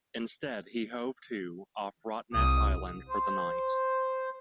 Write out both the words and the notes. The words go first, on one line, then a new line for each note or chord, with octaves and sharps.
Instead he hove to off Rottnest Island for the night.
C2 D#6
C5